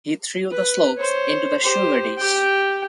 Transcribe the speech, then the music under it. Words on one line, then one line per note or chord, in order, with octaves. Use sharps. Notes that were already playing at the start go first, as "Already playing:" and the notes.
He threw the slops into the sugar-dish.
B4
C5 C#5
G4 C5
G4 G5